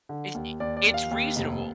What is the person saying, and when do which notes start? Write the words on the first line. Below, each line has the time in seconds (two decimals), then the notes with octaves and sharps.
It's i it's reasonable,
0.09 D3
0.35 D#2
0.60 D#2 D5
0.77 D5
0.86 D#2
0.94 F5
1.11 D#2
1.36 F1